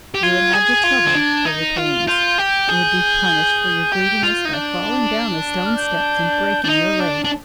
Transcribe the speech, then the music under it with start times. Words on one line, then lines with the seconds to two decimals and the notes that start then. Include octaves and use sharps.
You would have your trouble for your pains, and would be punished for your greediness by falling down the stone steps and breaking your leg.
0.14 G4
0.23 F4 G#6
0.53 G#4
0.84 F4
1.07 C4
1.15 D4
1.45 D#4
1.76 F4
2.07 F4 G6
2.38 G4
2.69 G#4
3.92 G4
4.23 F4
4.45 D#4
4.53 D4
5.66 F6
5.77 G6
6.64 D4
6.69 D#4
7.00 D4
7.24 D4